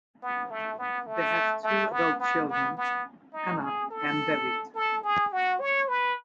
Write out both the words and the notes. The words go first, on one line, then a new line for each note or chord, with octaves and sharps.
They have two adult children, Anna and David.
B3
A3
B3
A3
A3
B3
B3
B3
B3
D#4
G#4
A4
A4
G#4
F#4
C#5
B4